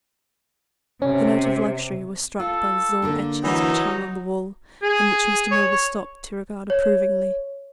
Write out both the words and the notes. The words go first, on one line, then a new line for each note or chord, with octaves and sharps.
The note of luxury was struck by the Zohn etchings which hung on the wall, and which Mr. Milburgh stopped to regard approvingly.
C3 C#4
F4 A4
D3 A#3 D4
E3 F#3 D#4
G#4
C#5
C#5